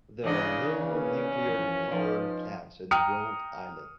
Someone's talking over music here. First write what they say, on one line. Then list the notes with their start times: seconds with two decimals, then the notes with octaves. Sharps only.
There are no nuclear power plants in Rhode Island.
0.24 E2 C#3 D4 D#5
0.89 D#3 A#3 C#4 B4
1.48 F#2 E3 F3
1.91 F3 D#4 B4 D#5
2.91 G5 A#5 D#6 F6 C#7